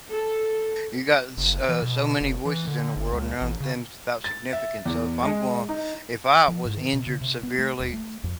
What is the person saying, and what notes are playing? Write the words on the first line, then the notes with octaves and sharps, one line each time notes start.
You got s uh, so many voices in the world around and none of them's without significance, so, if I'm going if I was injured severely
A4
F#1
E3
B2
F1
E3
D3
G1
C#2
A1
C#3
A6
E5
E2
G#3
D#4
F3
G#2
D#3
B2
C#3
C3
B3
A3
D#1
A3
F2